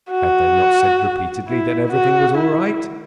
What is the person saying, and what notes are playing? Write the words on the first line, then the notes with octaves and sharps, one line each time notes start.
Had they not said repeatedly that everything was all right?
F#4
E4
F#4
E4